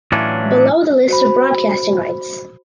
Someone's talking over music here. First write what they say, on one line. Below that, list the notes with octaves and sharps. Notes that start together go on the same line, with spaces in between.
Below the list of broadcasting rights.
A2 E3 F#3 C#4 D4 F4
F#4 C5 B5